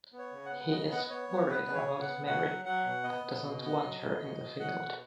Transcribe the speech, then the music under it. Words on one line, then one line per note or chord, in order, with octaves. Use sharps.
He is worried about Mary and doesn't want her in the field.
B3
C#5
C#3
F#5
B3
C#3 D#5
B3 F#5
D#5
B3 C#5
B3
B3 B4
C#3
C#5
C#3
F#5
B3
B2 F#5
F#3
F#3 F#5
B2
B3 D#5
B3
B2
B3
F#3
B2
B2
B2
B2 F#5
B2